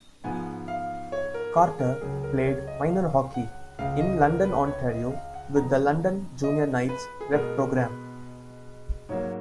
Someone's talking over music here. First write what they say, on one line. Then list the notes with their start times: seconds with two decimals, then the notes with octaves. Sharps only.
Carter played minor hockey in London, Ontario, with the London Jr. Knights rep program.
0.24 G#2 F3 B3 G#5
0.68 F5
1.12 C#5
1.34 A#4
1.57 G#4
1.80 A#4
2.01 C#2 C#3 F#3 G#4
2.23 A#4
2.46 C#5
2.67 D#5
2.90 F5
3.34 F#5
3.79 C#2 C#3 G#3 F5
4.01 D#5
4.22 A#4
4.45 B4
4.67 C#5
4.89 D#5
5.11 F5
5.34 F#5
5.56 F2 C#3 G#3 B3 A#5
6.44 D#5
6.89 B4
7.21 G#4
7.33 B2 G#3 B3 A#4
7.77 B4
9.09 G#2 F#3 A#3 C#5